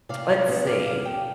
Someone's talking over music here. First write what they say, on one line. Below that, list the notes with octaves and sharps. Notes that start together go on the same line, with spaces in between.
let's see,
C3 D5 F5
C5 D#5
G3 B3 D4 C5 D#5
D5 F5
C3 D5 F5
D#5 G5